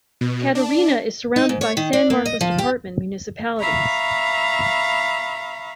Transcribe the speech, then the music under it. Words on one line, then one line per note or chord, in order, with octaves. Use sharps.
Catarina is surrounded by San Marcos Department municipalities.
B2
D4
D#4
G#2
C#5
D#3
D4
A#3
D#5
F3
G4
E5 F5 A#5 B5 C#6